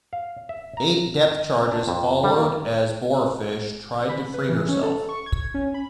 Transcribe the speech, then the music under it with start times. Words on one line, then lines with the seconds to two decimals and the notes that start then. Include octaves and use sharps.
Eight depth charges followed as "Boarfish" tried to free herself.
0.13 F5
0.49 E5
0.77 A#5
1.39 D#5
1.72 D4
1.87 F2
2.23 G3
2.38 A#3
4.09 B5
4.34 B4
4.49 E3
4.69 C#4
4.83 A4
5.09 C#6
5.26 G#6
5.54 C#4
5.74 B5